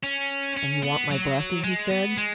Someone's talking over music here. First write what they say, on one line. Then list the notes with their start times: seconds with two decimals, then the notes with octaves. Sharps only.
"And you want my blessing?" he said.
0.03 C#4
0.57 C#4
0.83 B3
1.11 F#3
1.64 G#3
1.91 B3
2.18 G#3